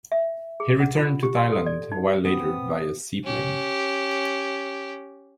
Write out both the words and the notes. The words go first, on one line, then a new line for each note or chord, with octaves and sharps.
He returned to Thailand a while later via seaplane.
E5
G#4
F#5
F4
G4
C6
A4
D5
D#4
B3 C4 D#6
C#4 G4